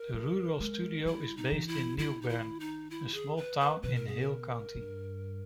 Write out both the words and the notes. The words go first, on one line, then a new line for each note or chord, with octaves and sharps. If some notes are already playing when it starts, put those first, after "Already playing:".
The Rural Studio is based in Newbern, a small town in Hale County.
Already playing: A#4
G3
G#3
G3 E4
D#4
E3
E4
D#3 E4
D#4
E4
D#4
E4
G#4
B4
B4
B2 B4
A#4
G#4
A#4
G2